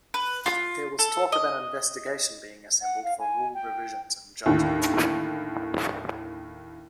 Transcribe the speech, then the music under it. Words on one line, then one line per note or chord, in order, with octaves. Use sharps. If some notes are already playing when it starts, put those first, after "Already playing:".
There was talk of an investigation being assembled for rule revisions in judging.
B4
F4
A4
D#5
F#5
F5
G#5
G5
D#2 A2 D3